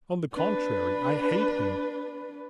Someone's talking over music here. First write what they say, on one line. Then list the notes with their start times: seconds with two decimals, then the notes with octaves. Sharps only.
On the contrary, I hate him!
0.33 D4 B4